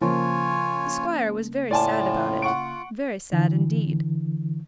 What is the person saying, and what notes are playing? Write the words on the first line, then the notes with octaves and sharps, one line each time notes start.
The squire was very sad about it,--very sad indeed.
C#3 F3 A#3 C#4 F4 C#5 G#5
A2 F4 D5 G#5 A5
F#5 C#6 D7
D3 E3